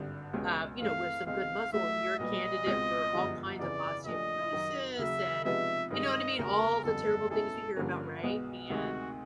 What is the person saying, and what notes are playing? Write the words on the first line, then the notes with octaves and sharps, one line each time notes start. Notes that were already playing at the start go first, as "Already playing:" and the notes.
uh, you know, with some good muscle, you're a candidate for all kinds of osteoporosis. And you know what I mean? All the terrible things you hear about, right? And
Already playing: G#1 G2 D3
C#2 B2 G#3 C#4
G2 E3 A3 C4 F5
C#2 B2 G#3 C4 D#4 F5
A1 A2 F#3 A3 E5
B1 A#2 G3 B3 D#5
C#2 B2 G#3 C4 F4
G1 F#2 D3 F3 G#3
F2 C#3 E3 D5
A#1 A#2 F3 A3 D4 D#5
F#2 D#3 F#3
D#2 C#3 F#3 E5
C3 F3 G#3 B3 D#4 E5
G2 D#3 G#3 D#5
E1 D2 C#3 A#4
G1 F2 D3 G3 A4
B2 G#3 C#4 E4 G#4 A4
G2 D3 F3 A#3 C#4
B1 B2 G#3 B3
D2 C3 D#3 G#3 F#4